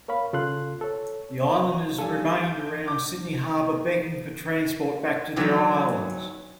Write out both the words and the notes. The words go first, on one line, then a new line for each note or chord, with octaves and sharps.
The Islanders remained around Sydney harbour, begging for transport back to their islands.
A#4 C#5 F5 B5
C#3 F4 A4 C6 F#6
A4 C#5
F3 G3 D4 A4 G#5
G6
D6 G6
D#3 E3 F#3